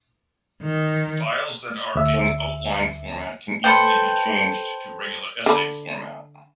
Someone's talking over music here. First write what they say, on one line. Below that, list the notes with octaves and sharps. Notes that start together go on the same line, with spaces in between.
Files that are in outline format can easily be changed to regular essay format.
D#3
D2 E5
A4 B4 C5 G5
D3 B5